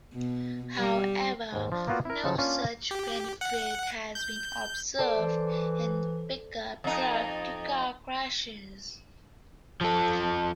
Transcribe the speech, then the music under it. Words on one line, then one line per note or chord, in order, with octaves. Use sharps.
However, no such benefit has been observed in pickup truck to car crashes.
B2
G3
D#2 G#2
F3 D4
A#3 B3 F4 F#4 D5
E4 A#4
C#3 F3 F#3 A4
A#3 C#4 D4 F4
G4
F#5
G6
A4 C5 D5
E3
F2 D#4
F3 A4